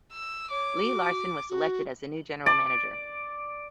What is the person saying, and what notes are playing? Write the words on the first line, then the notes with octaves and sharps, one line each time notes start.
Lee Larson was selected as the new General Manager.
E6
C#5 D6
F#4
F#4
D5